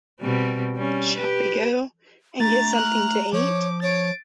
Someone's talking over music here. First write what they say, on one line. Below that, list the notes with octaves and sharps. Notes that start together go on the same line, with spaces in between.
Shall we go and get something to eat?
B2 G3 C4
G3 C#4
G4 B4
A3 D4 A#5 A6
F6 F#6
F3 C#5 D6
C#5 A6 D7